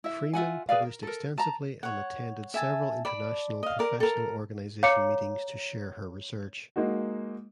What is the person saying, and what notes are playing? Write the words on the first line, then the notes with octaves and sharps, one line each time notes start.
Freeman published extensively and attended several international professional organization meetings to share her research.
E4 E5
F4 E5 F#5 G#5
G#4 B4 D5 F5
A#4
A4 A#4
A5 A#5
C#5 F#5
E5 G#5 A5
D5 A5 B5
D#5 F5
A#4 D5
A4 A#4
C#5 F5 A#5 D6 C#7
G#3 A#3 D#4 F#4